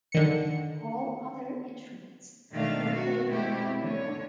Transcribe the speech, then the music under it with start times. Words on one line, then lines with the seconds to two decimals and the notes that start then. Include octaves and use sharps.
All other instruments were played by Burnel.
0.12 D3 D#3 C#7
2.52 B2 D#3 A3 C4 D4 F5
2.90 F#4
3.28 B2 G#3 A3 C4 E4 G4
3.79 D3 C#5